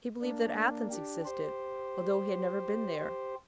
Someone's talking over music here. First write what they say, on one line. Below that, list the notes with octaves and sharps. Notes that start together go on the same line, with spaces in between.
He believed that Athens existed, although he had never been there.
A#3 D4
D4 G4
G4 C5
G4 C5